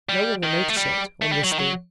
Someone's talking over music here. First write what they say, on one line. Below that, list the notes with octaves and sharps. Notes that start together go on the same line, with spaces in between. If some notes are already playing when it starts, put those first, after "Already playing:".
No one will notice it, or miss thee--.
G3
D#3
A3
G3
A3
G3
F#3
D#3
F#3